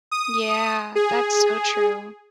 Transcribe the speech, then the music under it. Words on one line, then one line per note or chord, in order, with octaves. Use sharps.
Yeah, that's so true.
D#6
G#4